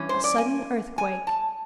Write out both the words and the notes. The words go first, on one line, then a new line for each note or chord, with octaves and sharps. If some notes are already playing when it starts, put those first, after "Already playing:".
A sudden earthquake.
Already playing: G2 E3 C#4
C5
D5
G#5
G#5
A5